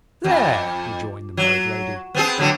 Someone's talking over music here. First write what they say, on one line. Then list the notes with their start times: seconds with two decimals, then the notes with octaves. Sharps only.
'There!' rejoined the married lady.
0.25 F2
1.37 F#3
2.15 B3 C4 G#4
2.38 A2 D3 F#3